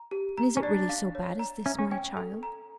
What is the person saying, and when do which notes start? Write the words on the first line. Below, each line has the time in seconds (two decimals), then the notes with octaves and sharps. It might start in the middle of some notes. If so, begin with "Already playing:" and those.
And is it really so bad as this, my child?
Already playing: A#5
0.11 G4
0.38 A#5
0.57 C#4
0.63 D4 D5
0.89 F5
1.15 C#5
1.39 A#5
1.65 C#4 E5
1.79 C#4
1.91 C#4 G5
2.17 A4
2.43 A#5